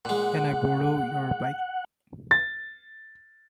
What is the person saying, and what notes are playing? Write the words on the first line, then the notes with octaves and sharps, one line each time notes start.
Can I borrow your bike?
A#2 G#3 F#5
A6